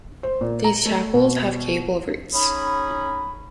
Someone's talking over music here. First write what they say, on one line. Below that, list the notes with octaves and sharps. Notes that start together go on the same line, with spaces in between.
These chapels have gable roofs.
C5
A#2
A#5
A3
B2
C#4 D#4 G#4 B5